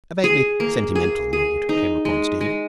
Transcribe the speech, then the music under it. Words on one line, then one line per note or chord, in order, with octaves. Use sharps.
A vaguely sentimental mood came upon Steve.
G#4
A#3
G#4
G#4
D#4
G#3
G#3